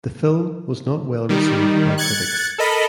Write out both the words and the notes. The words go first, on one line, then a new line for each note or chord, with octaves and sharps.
The film was not well received by critics.
D#3 G3
F#6 G#6 A6 C#7
A4 A#4 D#5 B5